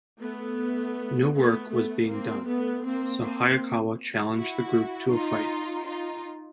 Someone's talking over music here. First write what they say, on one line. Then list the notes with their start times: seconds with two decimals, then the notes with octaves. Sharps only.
No work was being done, so Hayakawa challenged the group to a fight.
0.20 A3 B3
1.34 A3 B3
1.71 A3 B3
2.08 A#3 C4
2.47 A3 B3
2.84 A#3 C4
3.22 A#3 C4
4.35 E4 F#4
5.10 D#4 F4
5.86 D#4 F4